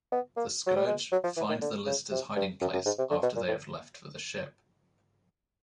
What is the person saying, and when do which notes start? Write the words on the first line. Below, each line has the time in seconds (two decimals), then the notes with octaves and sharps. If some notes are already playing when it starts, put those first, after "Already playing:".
The Scourge find the Listers' hiding place after they have left for the ship.
0.12 B3
0.37 A#3
0.67 F#3
0.76 G3
0.86 G#3
1.12 F#3
1.24 F3
1.37 E3
1.49 D#3
1.62 D3
1.86 C#3
2.12 C3
2.36 G2
2.61 F#2
2.73 F#2
2.86 G#2
2.98 C3
3.10 D3
3.23 B2
3.36 A#2
3.48 A2